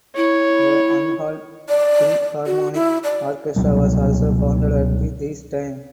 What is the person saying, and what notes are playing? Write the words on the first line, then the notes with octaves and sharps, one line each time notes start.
The Anhalt Philharmonic Orchestra was also founded at this time.
E4 C#5
D5
F#4
E4
D5
C#2 B2 F#3 G3